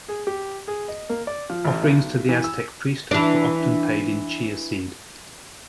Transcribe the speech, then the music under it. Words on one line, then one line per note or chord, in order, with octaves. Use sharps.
Offerings to the Aztec priesthood were often paid in chia seed.
G#4
G4
G#4
D#5
A#3
D5
F3
A1
B1
E3
E6
E3 D4